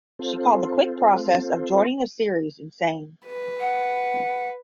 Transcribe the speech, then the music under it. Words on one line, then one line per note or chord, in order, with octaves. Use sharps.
She called the quick process of joining the series "insane".
C4 F4 A4 C5
B4
F#5